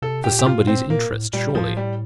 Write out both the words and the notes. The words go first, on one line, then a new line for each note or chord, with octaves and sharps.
For somebody's interest, surely.
C3 A4
G4
A#2
G4
F4
A#2
C4
A#2 A#3
A2
A#2 G3
A2 F3
G3